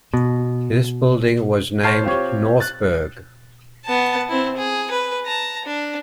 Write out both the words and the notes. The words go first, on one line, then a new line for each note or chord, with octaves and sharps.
This building was named "Northburg".
B2
C5 C#5 A5 F6 G6 C7
C4 F4 G4 C#5
F#6 A6
B3 A5
C4 E4
G#4
B4
A5 A#5
D4